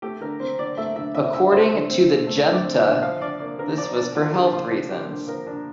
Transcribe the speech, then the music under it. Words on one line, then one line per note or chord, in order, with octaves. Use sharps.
According to the junta this was for health reasons.
A3 G4
D3 A#4
C4 C5
D3 D5
A3 E5
D3 E5
C4 E5
D3 E5
A3 C5
D3
C4
D3
A3
D3
D5
C4
E5
D3
F3 F5
D4 D5
A#3 D5
D3 A#4
F3 D5
D4 D5
A#3 F4
D3 G4
F3 F4
D4
A#3 G4
D3
F3 A#4
D4